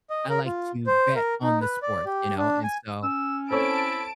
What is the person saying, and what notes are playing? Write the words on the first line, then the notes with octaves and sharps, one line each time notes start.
I like to bet on the sports, you know? And so,
D#5
A#4
F4
C5
A#4
D#4
B4
D5
G4
D4
G#5
C#4 E6
C4 E4 A4 C#5 A5 D7